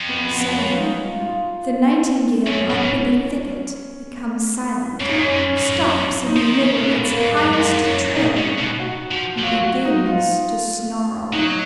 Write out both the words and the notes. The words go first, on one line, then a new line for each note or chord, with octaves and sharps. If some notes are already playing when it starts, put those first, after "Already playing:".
Suddenly the nightingale up in the thicket becomes silent, stops in the middle of its highest trill, and begins to snarl.
Already playing: F2
B3
B3
B3
C#4
F4
D#4
F4
F4
F#2 C#4
A#2
G#2
G#2 C#4
A#2 D#4
G#2 C#4
F#2
G#2
F#2
D#4
F3
D#3
C#3 C#4
B2
A#2 B3
A#2
A#3
G#2
G#3
F#2
F#2 A#3
G#2
F#2
F#2 C#4
A#2 D#4
C#3
B2
F#4
F3
F3
F#3 F4
F#4
D#4
F4
F#3 D#4